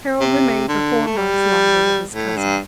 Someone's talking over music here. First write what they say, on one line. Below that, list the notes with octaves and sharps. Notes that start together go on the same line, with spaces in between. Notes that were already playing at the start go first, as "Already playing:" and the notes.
Harold remained for four months longer with his cousin.
C3
D3
A3
G3
A2
G2